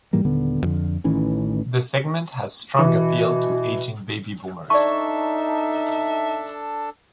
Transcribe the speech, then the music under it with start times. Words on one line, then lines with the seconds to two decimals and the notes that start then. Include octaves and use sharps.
The segment has strong appeal to aging baby boomers.
0.13 G#2 E3 G3 A#3
0.25 D#1 D3 B3
0.62 F2 D3
1.04 A1 D#3 E3 C#4
2.79 B2 E3
4.70 D4 D#4 A4 D5 E5 C#6